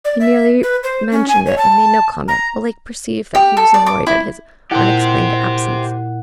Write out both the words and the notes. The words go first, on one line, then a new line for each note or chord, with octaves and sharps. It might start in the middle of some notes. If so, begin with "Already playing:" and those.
He merely mentioned it, and made no comment; but Lake perceived that he was annoyed at his unexplained absence.
D5
E5
B4
C5
C#4
G#5
C#5
A5
A#5
G4
A4
D5
D6
E4
A#2 E4 G4 A#4 C5 F#5